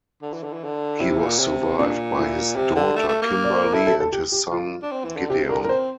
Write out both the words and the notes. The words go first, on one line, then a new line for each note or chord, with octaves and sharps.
He was survived by his daughter Kimberly and his son Gideon.
D3
E3
D3
E3
D3
C3 E4
A#2
C3
A#2 D4
E4
C3 G4
D3
A3
A3
A#3
D5
C5
A#4
E4 A4
A4
A4
G4
G4
F4
D4
C4
E3
D3
C3 G4
D3 A#4
A#4
C4 C5